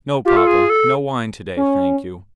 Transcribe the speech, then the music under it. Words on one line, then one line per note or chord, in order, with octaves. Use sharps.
No, papa--no wine to-day, thank you.
F4 G4
A4
G#4
A4
C#4